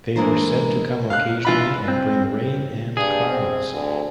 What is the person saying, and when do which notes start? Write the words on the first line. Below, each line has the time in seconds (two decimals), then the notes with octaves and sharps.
They were said to come occasionally and bring rain and clouds.
0.16 E3 G#3 A#3 D4 A#4 C5
1.10 F5 F#6
1.45 E3 F4 B5
1.88 C4
2.97 G2 G#4
3.28 C4
3.73 D2